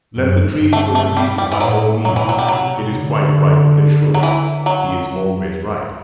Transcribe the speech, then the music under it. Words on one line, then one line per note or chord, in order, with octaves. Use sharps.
Let the trees go to pieces, by all means; it is quite right they should; he is always right.
F#2
G2
A3
A3
G3
G3
E3
A2 F#3
B2 F#3
E3
F#3
G3
C3 F#3
D3
F#3
E3
F#3
F#3